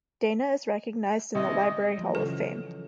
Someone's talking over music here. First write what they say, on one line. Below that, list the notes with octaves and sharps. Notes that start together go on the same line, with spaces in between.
Dana is recognized in the Library Hall of Fame.
C2 C3 D#5
F3 F#3
C#3 E3 A4